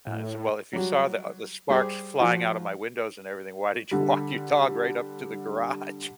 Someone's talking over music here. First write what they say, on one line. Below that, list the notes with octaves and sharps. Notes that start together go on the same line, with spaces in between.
Uh, I said, "Well, if you saw the uh, the sparks flying out of my windows and everything, why did you walk your dog right up to the garage?"
A2
F#3 G3 F#4
G3 G4 G#4 C5
F3 F4 F#4
D3 G3